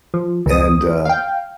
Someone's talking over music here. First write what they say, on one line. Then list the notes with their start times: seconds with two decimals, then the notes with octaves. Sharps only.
and, uh
0.14 F3
0.46 C#2 D#6
1.05 F5 G5